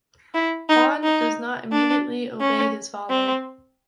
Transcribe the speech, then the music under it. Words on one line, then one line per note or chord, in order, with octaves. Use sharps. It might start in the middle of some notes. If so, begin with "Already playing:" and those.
Juan does not immediately obey his father.
E4
D#4
D#4
D4
C#4
C4